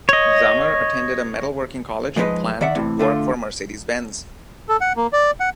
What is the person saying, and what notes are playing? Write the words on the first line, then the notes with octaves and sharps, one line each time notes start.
Zammar attended a metalworking college and planned to work for Mercedes-Benz.
C#5 D#5
G#2 F3 G#3 G4 B4 D#5
D#3 D5 E5 F#5
A2 C3 E3
D3 A3 F4
A4
F#5
A#3
D5
F#5